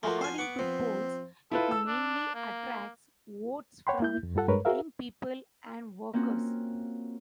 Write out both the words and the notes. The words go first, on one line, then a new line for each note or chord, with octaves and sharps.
According to polls, it mainly attracts votes from young people and workers.
F3 A3 A#3 F4 F#4
C5 G#5
B3 F#5 C#6 D6
F3 C4
E4 F4 A4 B4
E6
D4
A#3
C#5 F#5 G5 B5 C6
A#3 E4 G6
F2
G2 G3 F4 A4 F#5
G2 G#3 A#4 B4 C#5
F#4 G#4 A#4 E5 F5
A#3 C4 C#4 F4 F#4